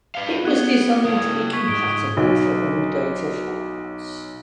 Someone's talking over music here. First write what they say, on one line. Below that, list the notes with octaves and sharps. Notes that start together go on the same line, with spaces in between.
It was designed to be compatible for all data formats.
B4 D5 F5 G7
B3 F#6 G#6 G7
A#3 E4 D#6 G#6
C#6 G#6 B6
G#2 D7 G7
B1 F#3